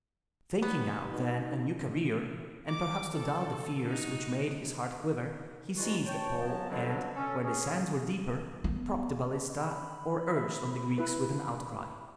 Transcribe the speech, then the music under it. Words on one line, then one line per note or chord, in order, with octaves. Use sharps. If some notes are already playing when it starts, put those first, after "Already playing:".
Thinking out then a new career, and perhaps to dull the fears which made his heart quiver, he seized a pole and, where the sands were deeper, propped the balista, or urged on the Greeks with an outcry.
G3 B3 D#4 G4
B2 D#4
D6
A4
D#4 F#4
C2 G#2 G#3 F4 F#4
C#5 G5 A5
F#2 F3 F#3 B3 A5
F2 B2 D3 F#3 G3 D4
C#4 A4
C#4 G#4
B3
B5
E5
E4 B4